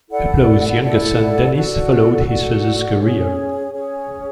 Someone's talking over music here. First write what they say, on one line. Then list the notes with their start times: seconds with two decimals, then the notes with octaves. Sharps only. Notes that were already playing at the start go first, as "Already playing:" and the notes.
Peploe's younger son Denis followed his father's career.
0.08 E4 A4 D5 F#5
0.82 E4 A4 D5 F#5
1.53 F#4 A4 D5 F#5
2.26 F#4 A4 D5 F#5
2.99 C#4 G#4 C#5
3.72 C#4 G#4 C#5